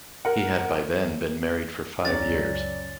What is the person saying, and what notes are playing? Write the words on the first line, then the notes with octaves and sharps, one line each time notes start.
He had by then been married for five years.
A#4 F#5
C#2 F#2 C#3 F#3 C#4 D5 A#5 A6